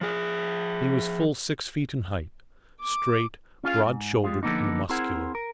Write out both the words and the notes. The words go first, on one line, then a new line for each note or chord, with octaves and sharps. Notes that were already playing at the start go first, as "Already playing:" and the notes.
He was full six feet in height, straight, broad-shouldered, and muscular.
F3 G#4
D6
C#4 F4 G#4 F5
G#2
G3 G#3 F4
D3 F3 A#3 B3 D4 D#4
C4 E4 G#4 A#4 C5 F#5
A#4